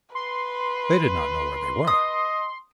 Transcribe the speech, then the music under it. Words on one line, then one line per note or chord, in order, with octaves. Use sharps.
They did not know where they were.
B4 C6
D#5 D#6